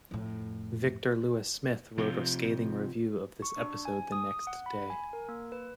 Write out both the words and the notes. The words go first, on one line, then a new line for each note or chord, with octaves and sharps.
Victor Lewis Smith wrote a scathing review of this episode the next day.
F2 A2
C3 F3
C#6
D4
G#5
D#6
F#5
B5
G#5
A#4
A#3
B4